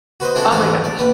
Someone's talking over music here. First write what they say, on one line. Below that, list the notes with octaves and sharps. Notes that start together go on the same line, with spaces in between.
Oh my gosh.
F#4 B4 C5 D#5
G#3 C4 D4 E4 F#4 A4
D2 G#2 E3 G#3 D4 A4
D5
A#1 B4